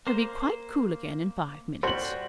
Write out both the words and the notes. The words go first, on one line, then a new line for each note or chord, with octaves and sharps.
He'll be quite cool again in five minutes.
A#3 C5
G3 F#4 C5 F#7